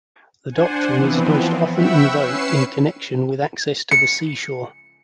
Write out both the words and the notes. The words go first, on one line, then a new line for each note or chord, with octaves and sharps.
The doctrine is most often invoked in connection with access to the seashore.
D4 C5 F#5 G#5
E3 F3 B3 C4
E5 F#5 G5 B5 C#6 E6
C#4 B4 C7 C#7 E7
C#7